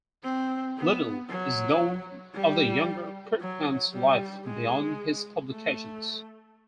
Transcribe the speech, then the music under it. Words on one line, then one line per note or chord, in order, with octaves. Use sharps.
Little is known of the younger Kirkman's life beyond his publications.
C4
B3
F#3
G3
F#3
G3
G#3
A3